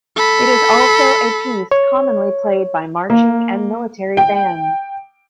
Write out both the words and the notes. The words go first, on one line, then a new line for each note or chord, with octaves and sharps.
It is also a piece commonly played by marching and military bands.
A4 B5
C#5
A#3
G5